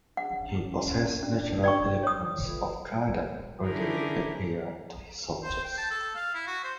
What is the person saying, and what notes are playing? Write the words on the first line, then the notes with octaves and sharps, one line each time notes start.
He possessed natural eloquence of a kind that readily appealed to his soldiers.
C#3 D4 F#5
C#4
C#4 D4
D5 G5 C#6
C#5 D#6
A3 F4 B4
D3 C#4 E4 G4 G#4 A#4
C5
G5
A5
A4
F5
E4
F#4
C5